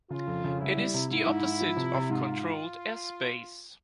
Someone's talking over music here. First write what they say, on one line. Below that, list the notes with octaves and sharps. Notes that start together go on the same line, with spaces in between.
It is the opposite of controlled airspace.
C#3 F4
F2
C#3
C2 E4
G3
C3
G#2 E4
G#2
G#2
F3
C3
C3
G#2 F4